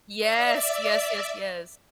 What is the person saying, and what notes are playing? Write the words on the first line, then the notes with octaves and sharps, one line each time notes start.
Yes, yes, yes, yes.
D5 E5